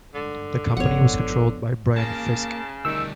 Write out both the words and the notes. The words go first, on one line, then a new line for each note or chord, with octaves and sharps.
The company was controlled by Brian Fisk.
G#1 G2 D3
G1 F3 B3 E4 C#5 F#5
C#3 A#3 A5
D2 D#3 G3 E6